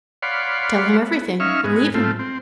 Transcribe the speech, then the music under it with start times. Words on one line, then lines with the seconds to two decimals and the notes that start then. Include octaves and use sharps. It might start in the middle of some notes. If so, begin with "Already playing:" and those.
"Tell him everything, and leave him."
0.22 C#5 D5 F5 F#5 B5 C6
1.02 B3
1.40 C#4 D#4 E5 F5 C#6 F6
1.64 G#2 G#3 B3
1.94 A2 A3 C4 F4
2.19 C4